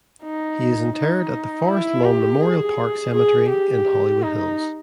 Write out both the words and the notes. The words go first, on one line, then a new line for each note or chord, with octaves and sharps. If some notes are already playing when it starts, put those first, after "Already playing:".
He is interred at the Forest Lawn Memorial Park Cemetery in Hollywood Hills.
D#4
D#4
E4
G4
G#4
G#4
G4
D#4